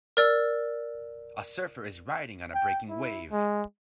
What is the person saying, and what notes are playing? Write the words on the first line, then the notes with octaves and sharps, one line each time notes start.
A surfer is riding on a breaking wave.
A#4 D5 E6
G5
E4
G#3